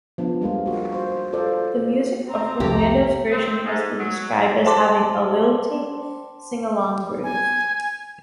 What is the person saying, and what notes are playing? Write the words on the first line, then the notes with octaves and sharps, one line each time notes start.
The music of Orlando's version has been described as having "a lilting, sing-along groove".
F3 B3 D4
G3 G#3 A#3 F4
A#3 F#4
C5
F4 A4 C5 D5
C4 A#5
C2 F2 A3 G4 A#5
C4
G#2
F#3
C5 G5 A5 C6 D6
G#5